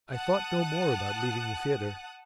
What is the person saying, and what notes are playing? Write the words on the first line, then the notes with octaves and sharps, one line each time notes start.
I thought no more about leaving the theatre.
F#5 A5 D#6 F#6